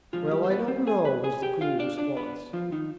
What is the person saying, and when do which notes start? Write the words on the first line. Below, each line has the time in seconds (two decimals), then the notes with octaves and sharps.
"Well, I don't know," was the cool response.
0.13 B2 F3 G#3 F4
0.28 G#4
0.31 G3 G4
0.44 C5
0.50 B3 B4
0.68 C4 C5
0.87 G#4 G#5
1.05 B4 B5
1.24 G#4 G#5
1.42 G4 G5
1.61 F4 F5
1.79 D4 D5
1.98 D4 D5
2.17 B3 B4
2.53 F3 F4
2.72 D#3 D#4